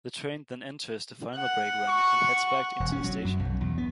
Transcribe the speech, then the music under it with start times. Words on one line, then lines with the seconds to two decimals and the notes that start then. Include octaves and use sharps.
The train then enters the final brake run, and heads back into the station.
1.36 F#5
1.89 C#6
2.80 E1
2.92 C#4
3.04 F#3
3.25 F#2
3.39 B1
3.61 E2
3.78 B3